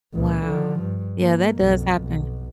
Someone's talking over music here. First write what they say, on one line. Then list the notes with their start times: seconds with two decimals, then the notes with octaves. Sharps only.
Wow. Yeah, that does happen.
0.14 C#2 A#2
0.45 D3 F3
0.81 G2
1.20 A#3
1.54 B1 F2
1.99 B1